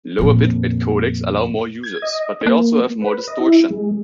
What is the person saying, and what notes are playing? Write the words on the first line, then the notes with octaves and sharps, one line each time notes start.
Lower bitrate codecs allow more users, but they also have more distortion.
F2 A#2
G#6
D#5
A#3
B4
D#5
E4
G#3